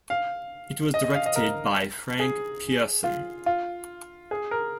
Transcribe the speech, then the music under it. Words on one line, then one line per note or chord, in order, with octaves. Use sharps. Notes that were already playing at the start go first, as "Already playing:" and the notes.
It was directed by Frank Pierson.
F5
D#5
D#5
F5
D#5
A#4
G#4
F4
F4
G#4
A#4